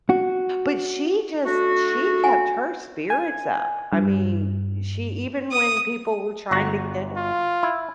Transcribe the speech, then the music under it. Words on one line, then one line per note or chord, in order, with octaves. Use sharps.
But she just she kept her spirits up. I mean, she even when people were trying to get her
F#4
A3 D4 F#4
F#5 G#5
G#5
G2
D#6
G1 F#4 A#5
F4
E4